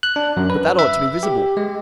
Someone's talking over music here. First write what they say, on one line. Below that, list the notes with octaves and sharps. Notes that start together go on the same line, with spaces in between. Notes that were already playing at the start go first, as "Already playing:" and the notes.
"But that ought to be visible."
F#6
D4
F#2
B4
E5
G4
G#3